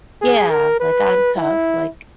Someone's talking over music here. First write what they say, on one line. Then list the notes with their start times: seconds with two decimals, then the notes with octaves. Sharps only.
yeah, like, "I'm tough," Like,
0.22 G#4
0.50 A#4
0.80 B4
1.37 E4